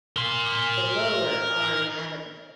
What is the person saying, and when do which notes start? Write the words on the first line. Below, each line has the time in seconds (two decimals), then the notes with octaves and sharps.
The lower are navigable.
0.16 A#4 C6